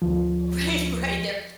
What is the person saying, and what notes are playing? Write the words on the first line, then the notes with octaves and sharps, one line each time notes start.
Right, right. Their
D2 F3